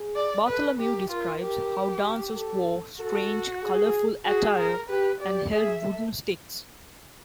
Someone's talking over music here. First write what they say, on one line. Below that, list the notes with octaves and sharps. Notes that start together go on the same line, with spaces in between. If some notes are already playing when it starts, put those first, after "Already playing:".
Bartholomew describes how dancers wore "strange, colorful attire" and "held wooden sticks".
Already playing: G#4
D5
A4 B4
G4 A#4
F4 A#4
G4
A4
F#4 A4
G#4
F#4 G#4
A#4
G4 B4
G4 D5
G#4 E5
A4